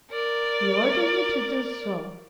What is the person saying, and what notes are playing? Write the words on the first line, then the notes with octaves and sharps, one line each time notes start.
He ordered me to do so.
A#4 D5